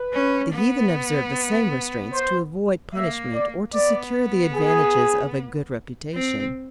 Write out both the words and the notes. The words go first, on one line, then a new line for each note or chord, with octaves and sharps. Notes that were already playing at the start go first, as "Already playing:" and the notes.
The heathen observe the same restraints to avoid punishment or to secure the advantages of a good reputation.
Already playing: B4
C#4
B3
C5
A#3 E5
D5
B3 D5
G#4
C4